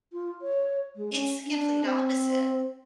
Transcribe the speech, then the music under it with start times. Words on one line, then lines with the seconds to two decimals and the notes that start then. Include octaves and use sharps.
It's the complete opposite.
0.13 F4
0.42 C#5
0.96 G#3
1.13 C#4
1.45 D4
1.85 C4